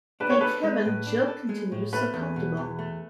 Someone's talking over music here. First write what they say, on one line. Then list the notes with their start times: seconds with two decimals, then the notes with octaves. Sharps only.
Thank Heaven Jill continues so comfortable.
0.20 D4 B4
0.30 C#5
0.41 A4 B4
0.63 G#3
0.85 A2
1.07 D4
1.28 A4
1.49 G#3
1.72 A2
1.93 A3 B4
2.14 E2
2.36 B2
2.57 E2
2.79 A3